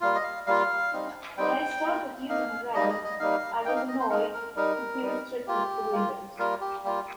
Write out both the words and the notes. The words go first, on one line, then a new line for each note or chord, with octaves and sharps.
When I started using Dragon, I was annoyed to be restricted to Windows.
G3 A#3 F4 F5
D#5
F5
G3 A#3 F4 F5
G3 C4 D#4
G3 C4 D#4 G5
A#3 D#4
A#3 D#4 F5
G3 A#3 D#4 D#5
D#5
D#5
G3 A#3 D#4 F5
A#3 D#4 G5
F5
D#5
C5
A#3 D#4 A#4
A#4
G3 D#4 A#4
G3 D#4
A#3 F4 G4
A#3 F4
G3 A#3 F4 A#4
G4
G3 A#3 F4 G4